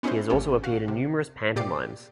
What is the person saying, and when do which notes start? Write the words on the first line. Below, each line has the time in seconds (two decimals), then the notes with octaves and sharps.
He has also appeared in numerous pantomimes.
0.03 B3 C#4 D#4 E4 F#4 C5
0.30 G#1 D2 C#4 G4 A4
0.64 F#4 F5
0.88 C3
1.56 A#2 G4 D5 D6 C7